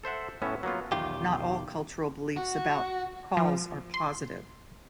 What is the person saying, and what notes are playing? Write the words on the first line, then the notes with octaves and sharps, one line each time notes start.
Not all cultural beliefs about cauls are positive.
A4 C5 E5 F#5
A2 B3 C#4 A4 E5
F#3 A#3 B3 F4
B1 E2 D#3 F4 G4
F#4
F3
C6